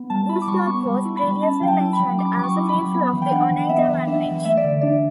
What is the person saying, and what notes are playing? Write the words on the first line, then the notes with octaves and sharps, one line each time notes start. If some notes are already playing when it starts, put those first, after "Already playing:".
This type was previously mentioned as a feature of the Oneida language.
Already playing: B3
G3 A5
E4 B5
D6
G3 C#6
B3 C#6
G3
E4
B5
G3
C#4 A5
F#3 G5
A5
E4
B5
F#3
C#4 D6
F#3 D6
C#6
E4
B5
F#3
B3 B5
E3
G5
D4 F#5
E3
B3 E5
E3
D4 E5
E3
A3 E5
D5
D3
D4 D5